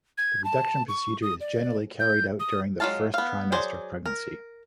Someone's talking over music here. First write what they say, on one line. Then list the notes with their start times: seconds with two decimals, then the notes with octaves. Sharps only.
The reduction procedure is generally carried out during the first trimester of pregnancy.
0.18 G#6
0.44 A5
0.89 C#6
1.22 D#6
1.41 D5
2.00 G6
2.40 D#6
2.80 F#3 G#3 F4 F5 A5
3.14 B3 F5
3.52 F#3 G#4 C5 D5
4.06 A#4